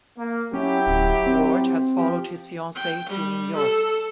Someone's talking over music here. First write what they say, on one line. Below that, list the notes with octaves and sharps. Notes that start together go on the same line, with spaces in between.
Ward has followed his fiance to New York.
A#3
F#3 C#4 E4 G4
D1
C4
F3 G4
G5
G3
A4